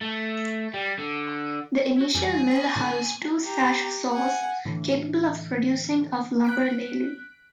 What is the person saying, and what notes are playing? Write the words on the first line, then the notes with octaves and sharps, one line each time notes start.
The initial mill housed two sash saws capable of producing of lumber daily.
A3
G3
D3
E4 F#4
F2 E3 G3 G#4
D#5 B5
A2 D3
G4 A#5
F#5 G#5
A2 D3 E3
F#6 B6 D7